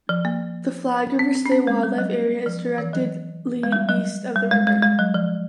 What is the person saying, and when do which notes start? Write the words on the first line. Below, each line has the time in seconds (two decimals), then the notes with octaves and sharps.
The Flag River State Wildlife Area is directly east of the river.
0.09 F3
0.25 A#3
1.19 C4
1.35 C4
1.46 C#4
1.52 C4
1.67 G#3
1.83 G3
1.98 F#3
2.46 F3
2.78 E3
2.93 F#3
3.63 G#3
3.72 G3
3.89 F#3
4.36 G3
4.51 G#3
4.67 G#3
4.83 G#3
4.99 F#3
5.14 F3